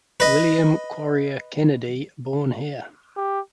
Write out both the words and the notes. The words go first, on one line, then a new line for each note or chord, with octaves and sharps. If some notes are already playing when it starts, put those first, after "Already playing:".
William Quarrier Kennedy born here.
B4 D#5
G4